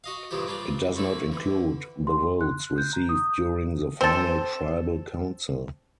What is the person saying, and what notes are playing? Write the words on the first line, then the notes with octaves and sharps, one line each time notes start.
It does not include the votes received during the final Tribal Council.
F#4 D#5 F5
G2 A#2 C#3 E3 F3 G4
G3 A#3 D4 F4
D3 A3 C4 E4
D3 E3
C6
F#6
G6
A#5
D#6
C4 A4